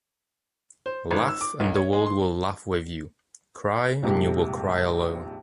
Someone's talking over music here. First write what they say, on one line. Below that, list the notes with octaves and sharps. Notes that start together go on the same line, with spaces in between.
Laugh and the world will laugh with you. Cry and you will cry alone.
C5
G#1
E6
D6
B1
C#5
G#3
C6
A#1 F2 G#2 C3 G3